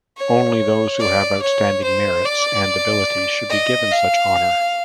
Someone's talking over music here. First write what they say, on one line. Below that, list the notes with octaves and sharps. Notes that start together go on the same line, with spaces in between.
Only those who have outstanding merits and abilities should be given such honor.
C#5
D5
C#5
C5
D5
D#5
F5